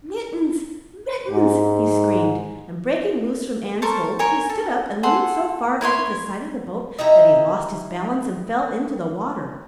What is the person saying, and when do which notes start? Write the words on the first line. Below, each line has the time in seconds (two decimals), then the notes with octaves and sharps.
"Mittens! Mittens!" he screamed, and breaking loose from Ann's hold, he stood up and leaned so far over the side of the boat that he lost his balance and fell into the water.
1.31 G#2
3.82 A4 A#4 C5 C#6
4.19 A#4 C#5 G#5
4.49 A4
5.03 G#4 A4 F#5 C6
5.81 E4 B4 C#5 C6
6.98 D#4 E4 G4 A#5